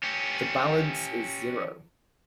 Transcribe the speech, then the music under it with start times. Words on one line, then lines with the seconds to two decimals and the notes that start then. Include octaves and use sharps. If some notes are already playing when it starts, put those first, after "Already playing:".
The balance is zero.
0.03 C#4 G4